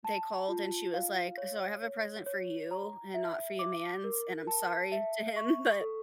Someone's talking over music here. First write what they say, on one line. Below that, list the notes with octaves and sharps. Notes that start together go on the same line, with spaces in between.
they called, and she was like, "So I have a present for you and not for your mans, and I'm sorry to him." But,
A5
F4
F5
C#5
C#5
C#5
A#5
E5
D6
A#4
A5
E5
C#6
A4